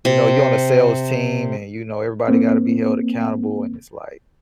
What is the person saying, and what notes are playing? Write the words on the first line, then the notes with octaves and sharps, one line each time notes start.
you know, you're on a sales team and you know, everybody got to be held accountable, and it's, like
C3
A#3 C4